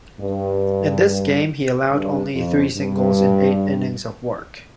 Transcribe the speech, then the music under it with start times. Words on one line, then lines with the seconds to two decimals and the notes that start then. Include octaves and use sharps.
In this game, he allowed only three singles in eight innings of work.
0.20 G2
1.91 G2
2.34 F2
2.77 G2